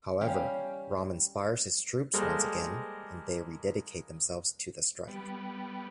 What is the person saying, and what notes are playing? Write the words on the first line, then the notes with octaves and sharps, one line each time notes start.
However, Rom inspires his troops once again, and they rededicate themselves to the strike.
G3 C#4 G4 F5
G3 G#3 A#3 A4 A#4 C5
G3 B3